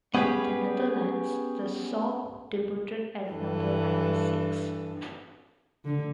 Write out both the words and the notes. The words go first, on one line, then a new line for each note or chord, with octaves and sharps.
In the Netherlands, the song debuted at number ninety-six.
B3 C#4 G4 G#4 B4
G2 E3 A4
D3